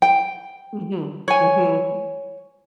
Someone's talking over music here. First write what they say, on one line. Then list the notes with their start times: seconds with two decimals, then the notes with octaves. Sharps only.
Mhm. Mhm. Mm.
0.02 G5
1.28 C#5 G#5